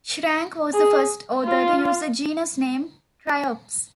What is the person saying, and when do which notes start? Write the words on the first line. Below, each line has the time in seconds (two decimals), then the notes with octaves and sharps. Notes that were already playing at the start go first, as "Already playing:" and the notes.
Shrank was the first author to use the genus name "Triops".
0.74 G#4
1.45 F4